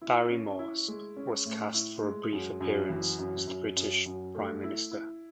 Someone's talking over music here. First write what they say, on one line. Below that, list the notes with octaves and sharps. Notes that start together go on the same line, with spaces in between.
Barry Morse was cast for a brief appearance as the British prime minister.
E4
C#4
E4
G#3
C#4
A2
E4
G#3
F#2
F#2
E3
F#2
F#2
F#2
F#2
A3
E4
E4